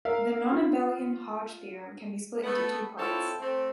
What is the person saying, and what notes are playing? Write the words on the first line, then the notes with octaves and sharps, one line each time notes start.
The nonabelian Hodge theorem can be split into two parts.
A#4 E5 F5
F4
A3 B3
C4 E4 F4 A4 C5 C#5
A3 C4